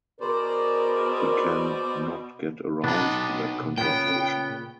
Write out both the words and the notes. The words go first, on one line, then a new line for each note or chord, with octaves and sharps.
We can not get around that confrontation.
B2 G#4 A#4 C5 D5
B2 B3 D4 D#4 G4
A#2 C#3 B3 G5